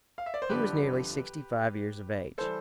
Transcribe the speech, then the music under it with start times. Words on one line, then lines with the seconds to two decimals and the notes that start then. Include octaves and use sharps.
He was nearly sixty-five years of age.
0.18 F5
0.26 E5
0.34 D5
0.42 C5
0.50 G1 F2 D3 G3 G4 B4
2.38 E3 G3 A4 C5